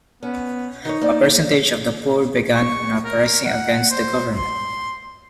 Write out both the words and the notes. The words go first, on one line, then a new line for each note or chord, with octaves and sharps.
A percentage of the poor began an uprising against the government.
B3 C#4
D#3 D#4 C#5
A#3 C5 D5
C#6
A#4
F#5
C5
C6